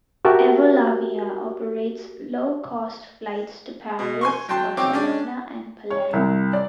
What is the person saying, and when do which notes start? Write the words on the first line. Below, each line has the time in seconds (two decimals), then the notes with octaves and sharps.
Evolavia operates low cost flights to Paris, Barcelona, and Palermo.
0.25 F#4 G4 A#4 E5 A5
3.99 B2
4.21 G#5 C6 C#6
4.49 F#3 G5 A5 C6
4.77 B1 C4 C#5 G5 D6
4.93 C#4 D4 D5
5.90 C#5
6.13 C2
6.53 D5